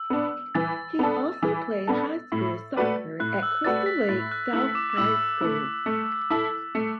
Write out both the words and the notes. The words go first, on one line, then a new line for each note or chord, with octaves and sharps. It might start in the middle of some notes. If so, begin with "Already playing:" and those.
He also played high school soccer at Crystal Lake South High School.
Already playing: E6
B3 D4
E3 A6
B3 D4 A4
E3
B3 D4 A4
A2
A3 F#4 B4 D5
A2 F#6
E6
A3 F#4 B4 D5 A6
B6
A2 A6
F#6
A3 E4 E6
D6
D6
A2 E6
A3 E4
A3
E4 A4
A3